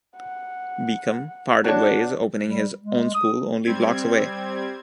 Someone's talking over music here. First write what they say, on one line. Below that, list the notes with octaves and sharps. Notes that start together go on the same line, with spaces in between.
Beacom, parted ways, opening his own school only blocks away.
F#5
D4 F#4 C#5
G3
G#3
D#6
G3 C4 G#6